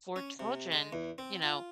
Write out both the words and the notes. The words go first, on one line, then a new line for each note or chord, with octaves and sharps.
for children, you know,
C#4
C3
G#3
E2
C4
F4